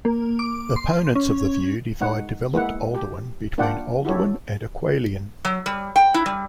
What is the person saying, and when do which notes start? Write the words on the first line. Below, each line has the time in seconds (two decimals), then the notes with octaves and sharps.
Opponents of the view divide Developed Oldowan between Oldowan and Acheulean.
0.05 A#3
0.39 D6
0.76 C6
1.15 C#4
2.01 G#3 D#4 F#5
2.54 G#3 A#3 B3 E4 F#5
2.94 G4
3.58 A#3 D4 F4 D5 F#5 G5
4.05 E4 F#4 G4 A4 C#5
5.45 F#3
5.66 G3
5.96 G5
6.14 E4
6.26 G3